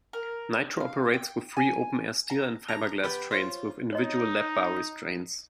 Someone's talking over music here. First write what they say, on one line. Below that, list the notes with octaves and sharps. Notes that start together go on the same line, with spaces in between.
Nitro operates with three open-air steel and fiberglass trains with individual lap bar restraints.
A#4
F5
G5
G#5
A#5
A4 A#5
B3 G4 B4 G5
F4 C5 C#5
D#4 C#5 D#5